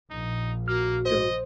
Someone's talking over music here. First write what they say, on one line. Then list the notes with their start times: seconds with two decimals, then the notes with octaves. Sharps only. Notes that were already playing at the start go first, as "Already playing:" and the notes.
you know?
0.10 A#1 D#4
0.68 A#3 F#4 F6
1.05 C5 D#5